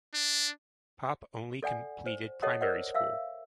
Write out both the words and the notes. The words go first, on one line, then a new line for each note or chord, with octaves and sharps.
Poppe only completed primary school.
D4
A4 D5 F#5 G#5
C5
A4 C#5 D#5 F#5 A5 D#6
A#4 C5 D5 D#5 F#5
E5 F5 E6